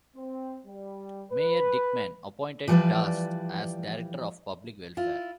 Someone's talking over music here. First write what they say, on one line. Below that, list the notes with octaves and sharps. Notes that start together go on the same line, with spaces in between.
Mayor Dickmann appointed Darst as Director of Public Welfare.
C4
G3
B4
E3 F3 G3 A#4 B4 D5
E4 F4